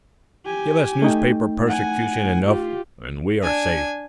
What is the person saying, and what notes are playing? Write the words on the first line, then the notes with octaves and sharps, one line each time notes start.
Give us newspaper persecution enough, and we are safe.
G4 G#5
A3 D#4 G5
F#5 G#5
F4 G4
D4 G#5